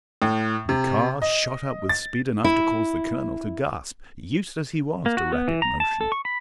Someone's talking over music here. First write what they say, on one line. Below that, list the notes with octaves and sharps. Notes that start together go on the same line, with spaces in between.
And the car shot up with speed enough to cause the colonel to gasp, used as he was to rapid motion.
A2
C3
D#5
A6
E4
A#3
F#4
B3
E3
A#5
A5
A4
C#6
B5